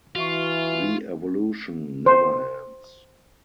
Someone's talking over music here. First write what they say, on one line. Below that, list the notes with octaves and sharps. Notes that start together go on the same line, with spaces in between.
The evolution never ends.
E3 F4 F#4 E5 C#6
C5